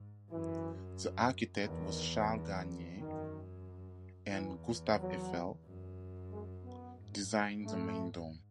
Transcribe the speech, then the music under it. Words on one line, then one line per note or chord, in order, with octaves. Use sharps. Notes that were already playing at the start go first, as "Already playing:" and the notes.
The architect was Charles Garnier, and Gustave Eiffel designed the main dome.
Already playing: G#2
F#2 E3
E2 D#3
F#2 D#3
E2 E3
F#3
F#2
G#3
B3
G#2
A3